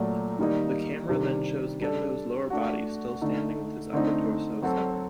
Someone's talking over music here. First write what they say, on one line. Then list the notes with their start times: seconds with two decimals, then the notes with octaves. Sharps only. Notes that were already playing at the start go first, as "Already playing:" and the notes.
The camera then shows Gendo's lower body still standing with his upper torso severed.
Already playing: A#2 F#3 A3
0.39 D#3 G3 A#3 D#4
1.09 C3 D#3 G3 D4
1.80 G3 D4 A4
2.50 A3 D4 F#4
3.21 D3 A3 D#4
3.93 D3 A3 C4 D#4
4.62 F#3 C4 F#4 A4